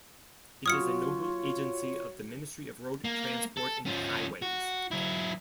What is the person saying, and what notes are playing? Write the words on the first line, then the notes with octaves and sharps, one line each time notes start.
It is a nodal agency of the Ministry of Road Transport and Highways.
F#3 A#3 F4 F#4 C#5 D#6 F6 C#7
A#3
A4
F3 C#4
F#4
F#3 E4